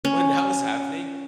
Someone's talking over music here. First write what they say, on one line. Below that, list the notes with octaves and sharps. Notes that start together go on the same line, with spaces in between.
when that was happening
C#4